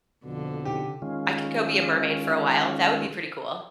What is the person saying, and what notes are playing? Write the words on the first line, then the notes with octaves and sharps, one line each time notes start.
I could go be a mermaid for a while, that would be pretty cool.
F2 B2 D3 F3
C3 D#4 G4
D#3 G#3 C#4 F4